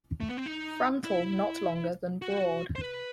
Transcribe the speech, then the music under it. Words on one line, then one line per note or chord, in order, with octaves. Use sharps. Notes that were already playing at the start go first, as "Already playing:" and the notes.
Frontal not longer than broad.
A3
B3
C4
D#4
E4
F#4
C5
B4